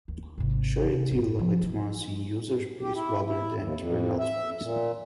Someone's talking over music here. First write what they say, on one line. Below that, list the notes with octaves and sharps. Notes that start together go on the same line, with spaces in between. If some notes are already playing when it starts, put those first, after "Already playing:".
Sharity-Light runs in user space rather than kernel space.
D#2
G#1 C3
C3
G2 C#4
F3 C#4
E3
G4
E4
E4
D#2
F2
E5
A#2